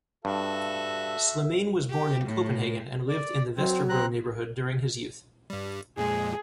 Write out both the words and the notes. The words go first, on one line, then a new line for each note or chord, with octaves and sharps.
Slimane was born in Copenhagen and lived in the Vesterbro neighbourhood during his youth.
G2 F#4 A4 E5
G4
A2
D5
F#3 C4
C4 A#5 F#6
G2 G3
F2 A#2 G#3 G#4